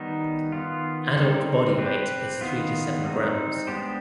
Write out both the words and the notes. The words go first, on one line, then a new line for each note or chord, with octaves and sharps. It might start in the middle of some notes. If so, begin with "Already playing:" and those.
Adult body weight is three to seven grams.
Already playing: D#3 G3 B3 D#4
D#3 B3 F4
D3 G3 C4 D#4
C4 G4 B4
D#3 B3 F4
G3 C4 D#4
G#3 B3 D4 G4 C5